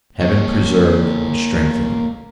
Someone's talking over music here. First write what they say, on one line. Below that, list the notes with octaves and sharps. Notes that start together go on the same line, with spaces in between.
Heaven preserve and strengthen you!
A#3 C#5